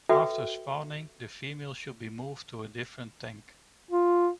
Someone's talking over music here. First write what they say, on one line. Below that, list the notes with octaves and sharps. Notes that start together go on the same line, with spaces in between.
After spawning the female should be moved to a different tank.
F#4 A4 B4 E5 G5
F4